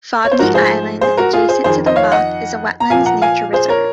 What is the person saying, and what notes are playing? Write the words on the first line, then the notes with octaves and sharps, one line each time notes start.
Fobney Island, adjacent to the lock, is a wetlands nature reserve.
C#5
C5
G#2 F3 F#4 A#4
G#4 C5
G#4 C5
F#4 A#4
F4 G#4
G#4 C5
F2 D#3 G#4 C5
C5 D#5
C#5 F5
D#5 F#5
A#5
A#2 F3 F5 G#5
F#5 A#5
F5 G#5
G#4 C5
A#4 C#5